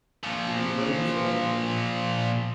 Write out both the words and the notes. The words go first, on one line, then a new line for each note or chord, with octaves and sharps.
Davy Byrne said.
A#2 F3